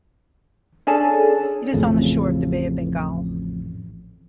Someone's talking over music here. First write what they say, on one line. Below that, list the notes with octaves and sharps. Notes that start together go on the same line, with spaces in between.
It is on the shore of the Bay of Bengal.
C#4 D4 G#4 A4 A5
A1 F2 C#3